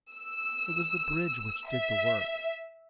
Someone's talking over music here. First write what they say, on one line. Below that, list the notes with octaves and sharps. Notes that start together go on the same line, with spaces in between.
It was the bridge which did the work.
E6
E5